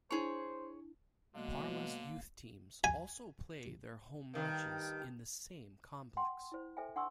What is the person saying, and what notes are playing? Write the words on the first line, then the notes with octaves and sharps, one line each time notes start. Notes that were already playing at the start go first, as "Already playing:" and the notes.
Parma's youth teams also play their home matches in the same complex.
D4 E4 G#4 C5 C#5 A5
B2 D3 F#3 G#3 A#3 F5
G#5
G2 D#3
F#5 G5 C6
E4 C5
A4 C5 E5 G5 G#5
D4 F#5 G#5 C6 C#6 E6